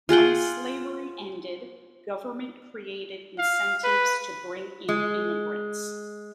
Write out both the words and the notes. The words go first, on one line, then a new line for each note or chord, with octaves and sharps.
When slavery ended, government created incentives to bring in immigrants.
F4 G#4 F#5 G5
F5
B4
G#3